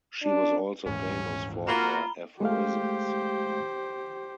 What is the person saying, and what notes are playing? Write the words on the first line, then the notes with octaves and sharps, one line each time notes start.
She was also famous for her aphorisms.
D4
D#1 G#2 E3 C#4
A#3 F4 F#4 A#5 B5 G7
G#3 A3 G4 C5 F5